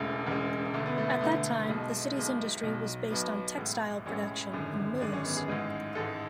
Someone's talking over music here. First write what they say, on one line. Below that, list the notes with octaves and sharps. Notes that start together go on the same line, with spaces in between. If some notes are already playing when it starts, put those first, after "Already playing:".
At that time the city's industry was based on textile production and mills.
Already playing: E1 E2 C#3 G#3 A3
E1 E2 C#3 G#3
E1 D2 D3 A3
B3
A3
B3
E1 D2 D3 A3
B1 B2 G#3
B1 B2 G#3
B1 B2 F#3
B1 B2 F#3 B3
A1 A2 G#3
A1 A2 G#3 C#4
G#1 F#2 D3 G#3
G#1 F#2 D3 G#3 D4
C#4
B3
G#4
A1 G#2 G#3
A1 G#2 G#3 A4